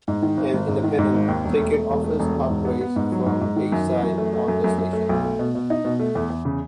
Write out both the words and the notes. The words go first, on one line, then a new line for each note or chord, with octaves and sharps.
An independent ticket office operates from a site on the station.
G#2
D#3
G#1
G#1
G#2
D#3
G#2
G#1
D#2
E1
A3
A3
E1
A3
E1
E1
G#2
B3
B3
G#2
F#3
G#2
G#2
D#3
F#2
E3
F#2
A3
A3
F#2
F#2
F#2
A3
B1
A3
B2
B2
D#4
B2
A3
E2
E2
C#3